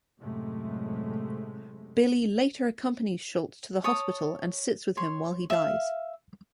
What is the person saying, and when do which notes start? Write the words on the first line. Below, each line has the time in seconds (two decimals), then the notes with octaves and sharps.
Billy later accompanies Schultz to the hospital and sits with him while he dies.
0.20 F#2 A2 C3 G#3 A3
3.84 C#5 A5 D#6
4.97 C#5 C6
5.50 E5 F5